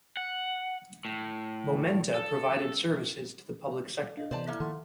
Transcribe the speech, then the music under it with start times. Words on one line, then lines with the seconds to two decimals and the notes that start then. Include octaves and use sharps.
Momenta provided services to the public sector.
0.17 F#5
1.05 A2
2.14 A4
4.17 D4 A4 D#5 F5
4.31 C3 E3 B3 C5 D5 A5
4.47 A3 A#3 E4 F6 F#6
4.60 D#3 F3 A4 E5 F#5 C6